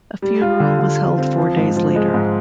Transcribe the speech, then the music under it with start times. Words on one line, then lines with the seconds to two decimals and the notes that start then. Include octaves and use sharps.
A funeral was held four days later.
0.22 G3
0.42 F4
0.60 D3
0.79 D3
0.99 F4
1.18 C4
1.38 F3
1.57 G#2
1.76 F3
1.96 G#3
2.14 G#2